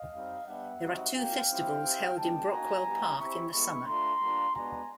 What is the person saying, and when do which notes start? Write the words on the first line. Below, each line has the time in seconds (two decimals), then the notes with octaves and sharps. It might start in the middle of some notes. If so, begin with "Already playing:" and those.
There are two festivals held in Brockwell Park in the summer.
Already playing: D#5 F5
0.13 G3 C4 D#4
0.47 G3 B3 D4 G4 E5 F#5
0.81 G3 C4 D#4 F#4
1.15 A#3 C#4 F#4 F5 G5
1.49 G3 C4 E4 G4
1.83 C4 E4 G4
2.17 G#3 B3 D4 G5 A5
2.51 A#3 D#4 F#4 G#5 A#5
2.85 G3 B3 E4 G4
3.18 C4 E4 G4 B5 C#6
3.52 G#3 B3 E4 G4 B5 C#6
3.86 A3 D4 F4 A#5 C6
4.20 G3 A#3 D4 F4
4.55 G#3 B3 D4 F#4 G#5 A#5